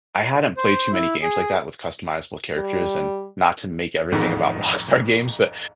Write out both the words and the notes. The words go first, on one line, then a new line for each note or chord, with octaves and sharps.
I hadn't played too many games like that, with customizable characters, and not to make everything about Rockstar games, but
C5
E4
G#4
G3
A1 F2 G#2 D#3 B3